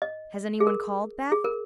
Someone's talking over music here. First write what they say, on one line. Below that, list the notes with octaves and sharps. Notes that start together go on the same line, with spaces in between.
Has anyone called, Beth?
D#5
G#4
A#4
G#4
A#4